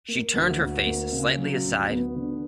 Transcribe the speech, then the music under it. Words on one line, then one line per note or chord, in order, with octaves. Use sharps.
She turned her face slightly aside.
A#3
D2
D2
A#3
C#3
F#3
D2
B3
D3